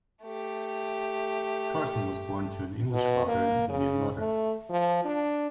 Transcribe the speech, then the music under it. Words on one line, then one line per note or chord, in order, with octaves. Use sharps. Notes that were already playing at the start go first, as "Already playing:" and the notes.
Carson was born to an English father and Indian mother.
A3 G4
B2
A#3
C#3
A3
F3
D4